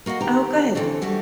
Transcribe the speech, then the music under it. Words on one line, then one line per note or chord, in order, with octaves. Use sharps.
Oh, good.
A#3 F#4 D#5 F#5
D2 D#3 G4 G5 A#5
D3 E3 F3 C4 A4 C#5
E3 G3 A3 F#4 G4